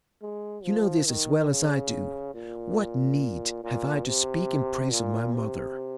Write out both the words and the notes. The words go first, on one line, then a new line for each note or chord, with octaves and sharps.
You know this as well as I do; what need have I to speak in praise of my mother?
G#3
F3
D#3
C#3
A#2
A#2
C3
A#2
C3